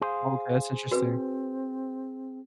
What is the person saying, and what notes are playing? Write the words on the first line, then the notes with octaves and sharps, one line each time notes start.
Okay, that's interesting.
G#4 C5 F5
C4 F#4 B4